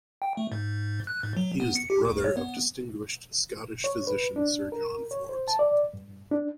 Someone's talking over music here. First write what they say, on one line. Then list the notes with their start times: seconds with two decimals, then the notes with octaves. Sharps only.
He is the brother of distinguished Scottish physician Sir John Forbes.
0.22 G5
0.37 A3
0.52 G#2
1.07 F#6
1.23 G#2
1.37 F#3
1.60 B3
1.76 C#7
1.90 G4
2.05 D2
2.24 C#5
2.37 B3
3.84 C#5
4.07 B4
4.36 D4
4.72 A#4
5.11 C#5
5.29 C5
5.48 A5
5.59 D5
5.94 G2
6.31 D4